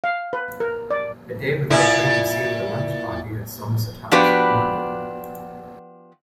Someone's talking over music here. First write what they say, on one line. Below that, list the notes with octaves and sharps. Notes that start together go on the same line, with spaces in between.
"A Day Without Rain" received a launch party at Somerset House, London.
F5
B4
A#4
D5
A#2 E4
F3 B3 D4 F#4 G4 B4